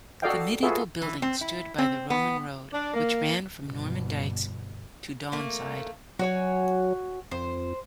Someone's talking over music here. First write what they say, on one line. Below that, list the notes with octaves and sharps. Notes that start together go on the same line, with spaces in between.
The medieval building stood by the Roman road which ran from Normandykes to Donside.
F#4 A4 D5 D#5 F5 G5
F4 F#4 G#4 A4 B4 E5
E3
C4
E4
C4
B3
D4
A#3
G1 B2
A3 A#3
F#3 F#4 C#5 G#5
F2 C5